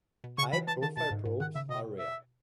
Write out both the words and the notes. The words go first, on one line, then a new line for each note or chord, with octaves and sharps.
High profile probes are rare.
B2
C#3 C#6
E3 B5
E3 A5
D#3 A5
B2 A5
G#2
G#2
D#3 F#5
C#3 E5
B2 D#5
E5